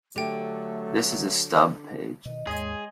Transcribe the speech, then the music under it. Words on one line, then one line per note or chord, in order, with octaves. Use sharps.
This is a stub page.
D3 F#3 A3 G4 G5
B2 D#3 D#5
D#2 G#2 G#3 G#4 C#5 D#5 G#5 C6